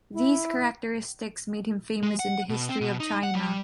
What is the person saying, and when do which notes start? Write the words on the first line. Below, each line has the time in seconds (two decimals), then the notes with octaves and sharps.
These characteristics made him famous in the history of China.
0.14 E4
2.03 G#3
2.19 F#5
2.49 B2
2.69 C4
2.81 B2
3.00 D#4
3.23 F#5
3.35 G3